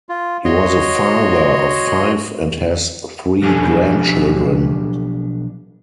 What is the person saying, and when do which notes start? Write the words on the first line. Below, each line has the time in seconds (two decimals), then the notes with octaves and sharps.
He was a father of five and has three grandchildren.
0.09 F4
0.45 F#4 C#5 D#5 C6
3.42 B1 F3 D4 G4 A4 G#5